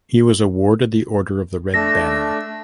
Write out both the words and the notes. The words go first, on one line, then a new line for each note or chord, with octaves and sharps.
He was awarded the Order of the Red Banner.
A3 D4 E6 A#6